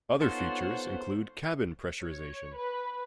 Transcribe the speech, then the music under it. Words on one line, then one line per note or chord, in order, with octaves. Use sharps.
Other features include cabin pressurization.
B3 D#4 F4 A4 C5 C#5 F#5
C#5
B4